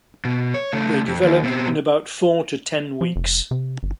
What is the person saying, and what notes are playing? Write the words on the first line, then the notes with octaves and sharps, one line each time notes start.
They develop in about four to ten weeks.
B2
C#5
C#3 A3
F2
D#2
B2 C4
F3
F1
C3
G1